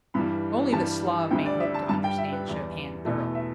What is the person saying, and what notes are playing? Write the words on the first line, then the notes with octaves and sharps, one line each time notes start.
Only the Slav may hope to understand Chopin thoroughly.
G2 E3 G3 B5
G2 E3 G3 A5
D2 D3 G3 G5
D5
E5
A5
G2 G3 A5
G5
E5
B4
E2 E3 G3 D5
E2 B2 A3
E5